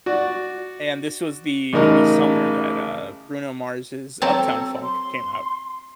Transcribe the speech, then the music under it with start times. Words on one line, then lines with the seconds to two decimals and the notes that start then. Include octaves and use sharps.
and this was the the summer that, uh, Bruno Mars' Uptown Funk came out,
0.06 F#4 D5
1.73 A1 C#3 D#4 A#4 D#5 A5
4.22 F#3 C4 A4 A5
4.83 C6